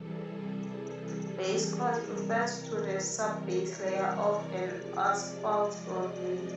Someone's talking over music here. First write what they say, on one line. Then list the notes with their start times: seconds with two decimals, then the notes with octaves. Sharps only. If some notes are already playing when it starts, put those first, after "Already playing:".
"Base course" refers to the sub-base layer of an asphalt roadway.
Already playing: C3 E3 G3 G#4 A4
0.84 A4
1.46 A#4
2.07 C3 E3 G3
3.30 C#5
3.92 D5
4.54 C3 F3 G#3
5.16 D5
5.46 D#5
5.77 D#5